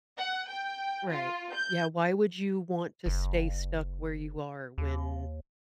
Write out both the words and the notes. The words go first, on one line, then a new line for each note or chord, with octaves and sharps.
Right. Yeah, why would you want to stay stuck where you are when
F#5
G5
F4
G6
F#1
D#2